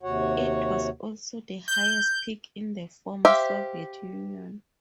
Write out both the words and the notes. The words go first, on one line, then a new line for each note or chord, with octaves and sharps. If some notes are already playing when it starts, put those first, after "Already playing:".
It was also the highest peak in the former Soviet Union.
D#2 C3 F#4 C#5 F#5
G6
G4 C5 E5 F5